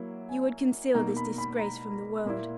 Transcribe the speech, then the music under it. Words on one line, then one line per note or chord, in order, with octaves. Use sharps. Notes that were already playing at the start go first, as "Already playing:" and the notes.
You would conceal this disgrace from the world.
Already playing: F#3 A#3 E4
G#5
B2 A#3 D#4 A#5
B5
B5
A#5
A#2 A#3 E4